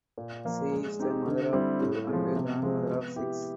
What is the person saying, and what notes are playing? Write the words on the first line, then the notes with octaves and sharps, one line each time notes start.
She is the mother of two and grandmother of six.
A#2
F3 A#3
G#3
C4 D#4 G4
D3
G3 C4 E4
A2
F3 G#3
C3
F3 G#3 C4
B3
E4 G4